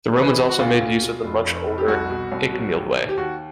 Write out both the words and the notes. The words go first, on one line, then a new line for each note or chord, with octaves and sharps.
The Romans also made use of the much older Icknield Way.
E3 B4
C3
F#4
D2 F4
D2
B2
F1
F1
F1
G4
C2 F#4
B2
C2
F#3
D#2
D#2
G4
D#2 F#4